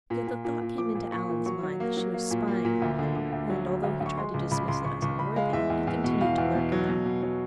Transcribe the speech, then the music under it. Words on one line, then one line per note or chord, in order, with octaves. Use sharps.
Yet the thought came into Alan's mind that she was spying on him and, although he tried to dismiss it as unworthy, it continued to lurk there.
A#2
A#2
A#2
A#2
F3 D6
A#2
A#2 C#6
A#2
F#3 C#6
F#3
A#3
F#3
A#3
A#2
A#3
A#2
D2
D3
D3
D2
F#3
D2
D2
D2
C#6
G#3 C6
C#2
C#2 B5
C#2 C6
C#2 C#6
C#2 C#6
C#2 B5
G#3 F5
E2 E5
E2
E2
B2
E2 F5
E2
B2
F#3
B2
B2
F#3